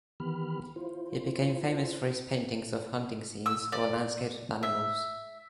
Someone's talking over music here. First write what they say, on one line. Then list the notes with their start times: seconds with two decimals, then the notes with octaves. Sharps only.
He became famous for his paintings of hunting scenes or landscapes with animals.
0.20 D#3 E3 B3 G4 B5 F6
0.76 E4 F4 C5
3.46 E6
3.72 D5
4.63 E5